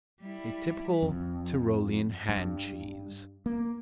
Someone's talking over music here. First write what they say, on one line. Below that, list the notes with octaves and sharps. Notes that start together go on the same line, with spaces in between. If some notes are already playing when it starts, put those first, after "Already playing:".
A typical Tyrolean hand cheese.
G3 E4
F2
G2
A#3